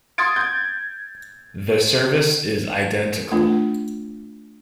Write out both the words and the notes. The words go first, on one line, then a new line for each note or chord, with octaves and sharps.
The service is identical.
C6 D#6 G#6 A6 D7
G6 G#6
A3 D4 F4